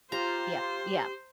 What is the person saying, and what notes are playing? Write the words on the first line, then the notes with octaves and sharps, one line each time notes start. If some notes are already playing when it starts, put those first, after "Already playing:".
Yep, yep.
F4 G4 C5 A#5